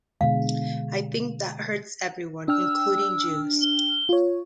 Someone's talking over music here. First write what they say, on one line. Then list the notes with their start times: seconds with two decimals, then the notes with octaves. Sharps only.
I think that hurts everyone, including Jews.
0.21 B2 D3 G#3 F5
2.48 D4 G5 E6 F6
3.62 G7
4.09 F4 C#5